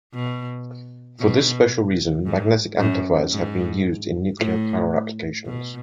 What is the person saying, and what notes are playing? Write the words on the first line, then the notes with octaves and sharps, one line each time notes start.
For this special reason magnetic amplifiers have been used in nuclear power applications.
B2
B2
G#2
F#2
G#2
A2
B2